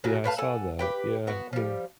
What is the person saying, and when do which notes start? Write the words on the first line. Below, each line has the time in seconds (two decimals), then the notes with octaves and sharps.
Yeah, I saw that. Yeah, I mean
0.04 A#2 C#3 F#4 G#4
0.24 A2 B4 F5 A5
0.38 A4 F#5 G#5
0.79 G4 B4 G5
1.27 B3 F#4
1.53 F3 G3